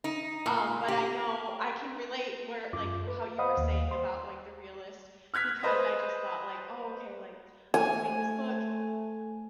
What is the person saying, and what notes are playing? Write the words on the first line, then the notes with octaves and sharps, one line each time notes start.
Um, but I know I can relate where like y w how you were saying about like the realist because I just thought, like, "Oh, okay, like, I'm gonna make this book
D#4
A#2
G4
F#2 F4 D6
B4
C5 D#5 F5 F#5 B5 D#6
D#2
C5 C6
F6 F#6 G#6 B6
B4 C5 D#5
A3 G#5